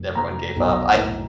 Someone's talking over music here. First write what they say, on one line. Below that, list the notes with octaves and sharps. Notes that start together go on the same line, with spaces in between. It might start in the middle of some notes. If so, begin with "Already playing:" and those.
everyone gave up. I
Already playing: F1
F1 A#5
B1
A2